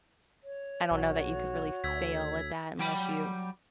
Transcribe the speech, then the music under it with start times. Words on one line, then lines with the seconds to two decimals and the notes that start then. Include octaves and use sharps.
I don't know that you could really fail at that unless you
0.44 C#5
0.91 B1 F#4
1.84 D2 E6 G#6 B6
2.79 F#3 G3 G5 B5